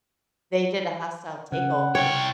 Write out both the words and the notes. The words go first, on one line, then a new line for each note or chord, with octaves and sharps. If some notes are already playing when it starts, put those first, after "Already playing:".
They did a hostile takeover
C#3 F#5
C2 C#5 G5